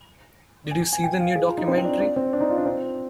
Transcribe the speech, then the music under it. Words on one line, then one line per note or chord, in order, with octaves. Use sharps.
Did you see the new documentary?
G#5
G#5
G#5
G5
F5
G#4
F4
D#4
C4
C4
D4
D4
C4
D4
D#4
F4
D4
C4